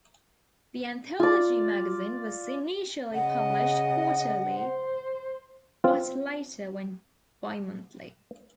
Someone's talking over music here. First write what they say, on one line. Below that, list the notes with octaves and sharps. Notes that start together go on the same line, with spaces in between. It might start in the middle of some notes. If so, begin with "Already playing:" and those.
The anthology magazine was initially published quarterly but later went bimonthly.
F4 D5
C#3 D#5 F#5
C5
C4 F4